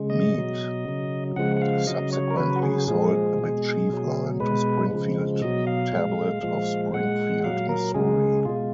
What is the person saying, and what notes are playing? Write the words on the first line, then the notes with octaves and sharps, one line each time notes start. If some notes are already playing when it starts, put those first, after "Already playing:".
Mead subsequently sold the Big Chief line to Springfield Tablet of Springfield, Missouri.
Already playing: C#3 G#3
D#5
B2 F#3
C#3 F#3
C#3 F3 G#3 F#5
F#5
F5
C#3 F#3 D#5
C#5
A#4
C#3 F#3 B4
F#4
G#4
A#2 F3 G#3 G#4
B2 G#3
B2 F#3
B2 G#3 B4
C#3 F3 G#3
B2 F#3 D#5
F5
A#2 G#3
A#2 F3 G#3
A#2 G#3 F#5
A#2 F#3 F5
A#4
C#3 G#3 G#4
B2 G#3 F4